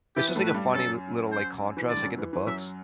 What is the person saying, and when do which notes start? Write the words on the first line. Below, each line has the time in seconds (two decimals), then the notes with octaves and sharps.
it's just, like, a funny l little, like, contrast, like, in the books,
0.16 E3 E4 G4
0.28 B3
0.36 A2 A3
0.44 B4
0.54 G2 G3
0.73 F#2 F#3 A4
1.31 C5
1.77 E3
1.89 D3 D5
1.97 G3
2.04 F#2 F#3
2.18 E3
2.33 E3
2.47 F#2 F#3 E5